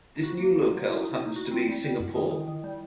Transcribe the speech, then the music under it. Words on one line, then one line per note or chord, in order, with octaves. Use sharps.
This new locale happens to be Singapore.
E4
F4 F#4
A#3
A#3
F#3
D#4 E4
D#4
D#4
F#4
F4
C4 E4
G3
G3
F#2
D#3 E4
D#3
D#3
G3